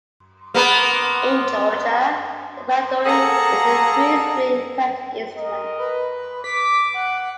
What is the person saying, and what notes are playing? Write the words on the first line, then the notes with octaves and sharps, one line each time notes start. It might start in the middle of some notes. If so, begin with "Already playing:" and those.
In Georgia the "panduri" is a three-string fretted instrument.
A#3 B3 B4
A#3 G#4 A4 F#5 A#5
A#4 D#5
B4
D6 B6
F#5